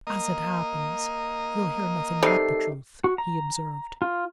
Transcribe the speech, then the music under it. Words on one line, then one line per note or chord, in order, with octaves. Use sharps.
"As it happens, you'll hear nothing but the truth," he observed.
A#3 D#5
C3 D#3 G3 A4 C7
F#4
A#5
F4